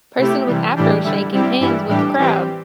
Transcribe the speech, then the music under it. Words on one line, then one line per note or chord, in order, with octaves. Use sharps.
Person with afro shaking hands with crowd.
C3 A3 E4 G4
C3 E3 G3
A2 E3 G3 D4 G4
D3 G3 E4
C3 G3 C4 E4 G4
G2 E3 G3 E4
A2 E3 G3 D4 G4
E3 G3 C4 G4